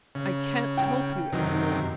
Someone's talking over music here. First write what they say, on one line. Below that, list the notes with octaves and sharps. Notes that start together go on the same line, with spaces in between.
I can't help you any more.
C#3
G5
F#2 C3 D#3